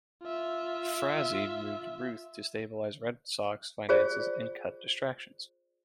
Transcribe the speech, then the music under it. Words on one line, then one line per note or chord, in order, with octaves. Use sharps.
Frazee moved Ruth to stabilize Red Sox finances and cut distractions.
F4 E5
F4 G#4 C5 D5